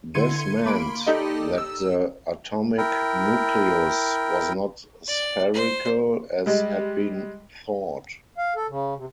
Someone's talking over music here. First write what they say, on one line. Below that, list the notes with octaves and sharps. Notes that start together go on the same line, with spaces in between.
This meant that the atomic nucleus was not spherical, as had been thought.
D3 E4 C6 G#6 C#7 D#7
A#3 B5 C6 D7
D#4 G4 A4 D5 D#5
E6
E4 A#4 G5
D5
C5
G3 G#3
F5
A4
C#3
C3